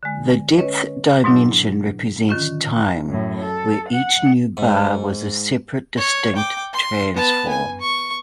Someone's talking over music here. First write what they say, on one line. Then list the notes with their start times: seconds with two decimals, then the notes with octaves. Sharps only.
The depth dimension represents time, where each new bar was a separate distinct transform.
0.03 D3 G#3
0.57 C#4 B4 C#5 D#5
1.24 G#2 B2 F#3 D4 E4
2.29 D3 D#3 C#4 F4
3.08 F#2 A2
3.41 A4
3.89 F#5
4.57 G#2
5.97 C#5
6.36 G5 D6
6.73 C6
7.14 B3 A5
7.49 G#5
7.81 C#6